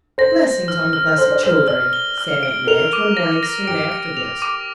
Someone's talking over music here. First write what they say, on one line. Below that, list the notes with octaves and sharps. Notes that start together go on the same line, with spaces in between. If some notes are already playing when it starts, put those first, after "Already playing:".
"Blessings on the blessed children!" said aunt Madge, one morning soon after this.
C5 A#6
A#6
F6
F6
C5 F6
D5
C5 F6
D5 F6
G7
F6
D7
A#4 F7
D6
A#6
A#6
G4 D7
D7
F7
D6